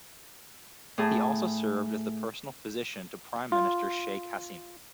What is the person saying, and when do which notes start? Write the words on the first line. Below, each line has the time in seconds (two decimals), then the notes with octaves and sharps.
He also served as the personal physician to Prime Minister Sheikh Hasina.
0.98 A2 G#4 A5
3.52 F4